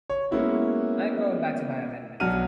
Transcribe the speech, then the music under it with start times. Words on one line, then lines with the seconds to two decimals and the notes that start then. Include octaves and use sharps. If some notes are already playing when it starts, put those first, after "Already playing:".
I am going back to my amendment.
0.10 C#5
0.31 G#3 A#3 B3 C#4 E4 F#4
2.20 B1 F#3 D4 F#5 F6 D#7